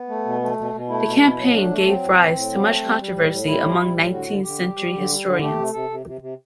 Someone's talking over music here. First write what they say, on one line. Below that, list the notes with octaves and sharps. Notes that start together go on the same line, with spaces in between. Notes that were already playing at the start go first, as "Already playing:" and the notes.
The campaign gave rise to much controversy among nineteenth-century historians.
Already playing: B3
A3
B2
A3
B2
B2
A3 E4
B2
B2 E4
F#3
A3 D4
A3
F#3 C4
A2
A2
A2
F#3
A3
G3
G3
A2
A2
G3 E4
G3
G3
A2
D3 F#4
D3
D3 G4
G3
G3
D3
G3
D3
A3 G4
C3
C3 A4
C3
C3
C3